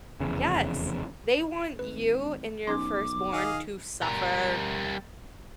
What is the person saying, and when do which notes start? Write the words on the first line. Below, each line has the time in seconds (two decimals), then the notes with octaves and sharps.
Yes. They want you and your firstborn to suffer.
0.21 F1 E2 C#3
1.79 G#1 B4
2.67 B1 C#4 D#4 C6 D6
3.33 D#3 G#4 D#5 F5 F#5
4.02 G3 A#4